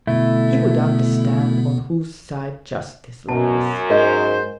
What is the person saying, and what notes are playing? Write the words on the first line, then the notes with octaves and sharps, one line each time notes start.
He would understand on whose side justice lies.
B2 D3 A3 B3 E4
F#2 B2 A5
G#2 A#4 C5 D#5 G#5